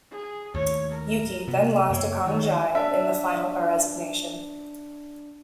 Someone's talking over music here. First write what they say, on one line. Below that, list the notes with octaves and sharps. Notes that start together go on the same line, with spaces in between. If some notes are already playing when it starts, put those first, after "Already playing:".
Yuki then lost to Kong Jie in the final by resignation.
G#4
D#2 A2 C#5
A#4
C3 B3
F#2 C#3 A#3 C#5
D#3
D4 E5